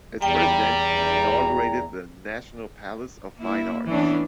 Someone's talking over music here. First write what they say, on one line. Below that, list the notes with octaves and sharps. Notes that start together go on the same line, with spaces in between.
As president, he inaugurated the National Palace of Fine Arts.
E2 G3 G5 A#5
A#3 E4
E3 A3 B3 C#4 D4